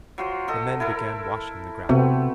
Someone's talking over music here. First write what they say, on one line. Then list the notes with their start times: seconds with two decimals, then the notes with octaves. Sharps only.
The men began washing the gravel.
0.18 F#3 F4 C5
0.48 F#3 A4 D#5
0.80 E4 A4 A#4
1.89 C3 A3 B3 C4 F#4